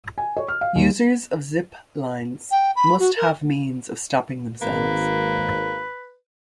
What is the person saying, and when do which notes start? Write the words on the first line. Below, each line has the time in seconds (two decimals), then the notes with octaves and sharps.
Users of zip-lines must have means of stopping themselves.
0.18 G#5
0.37 C#5
0.48 F6
0.61 F5
0.75 D#2
2.51 G5
2.75 B5
2.99 F#4
3.16 A#4
4.62 G#1 A#3 B4